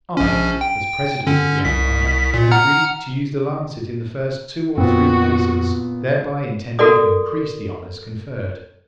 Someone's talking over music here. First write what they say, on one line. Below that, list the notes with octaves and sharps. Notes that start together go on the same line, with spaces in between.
I, as president of the empire, had agreed to use the lancet in the first two or three cases, thereby intending to increase the honours conferred.
A#1 C#4
G5
D3 C#4
C2 B6
A#2
F#5 A#5 F6
F2 A#2 B3 C4 F#4
F#4 A4 A#4 D5 D#6